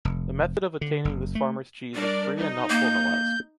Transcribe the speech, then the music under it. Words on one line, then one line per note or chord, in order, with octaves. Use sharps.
The method of obtaining this farmer’s cheese is free and not formalized.
F1
D3
F#1
A3
G3 D4 A#4 D5
D#4
A#3 G6